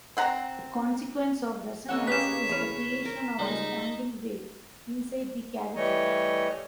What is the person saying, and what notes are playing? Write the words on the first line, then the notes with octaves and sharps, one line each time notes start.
A consequence of resonance is the creation of a standing wave inside the cavity.
C4 F#5 A#5
C#3 A#3 C#5 D#5 F#5 E6
C#4 G4 G#4 B4 B6 E7
E2 C#3 B4 F6
A#4
C#2 G3 G#3 D#4
E3 G3 A3 C#5 D#5